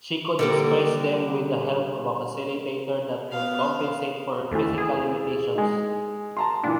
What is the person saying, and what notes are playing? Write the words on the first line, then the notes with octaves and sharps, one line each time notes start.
She could express them with the help of a facilitator that would compensate for her physical limitations.
D3 G3 A#3
B3 F5
D#2 E3 A3
G#4
G#3 D#4
A5 A#5 C6
A#2 E3 D4